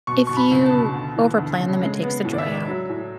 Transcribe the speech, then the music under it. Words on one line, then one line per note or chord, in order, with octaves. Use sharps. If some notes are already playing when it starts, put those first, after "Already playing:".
if you overplan them, it takes the joy out.
B2 C#6
B2 C#6
B5
C#2
A5
B2
D2
E3
D2
C#3
G#3
B3
A2
D5
E5
G#3
F#3
A2